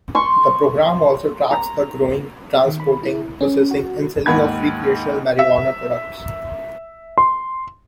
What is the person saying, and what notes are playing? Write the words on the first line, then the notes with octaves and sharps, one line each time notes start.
The program also tracks the growing, transporting, processing and selling of recreational marijuana products.
C6 C#6
A#5
D#3
B5
E4
C#4
F#4
D#2 G#2 F#5 B5 G#6
E5
C6